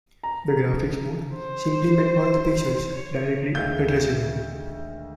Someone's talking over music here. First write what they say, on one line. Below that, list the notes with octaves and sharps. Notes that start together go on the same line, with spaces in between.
The graphics mode simply made all pixels directly addressable.
A#5
C5
C#5
D2 D#3 G#3 F5 G6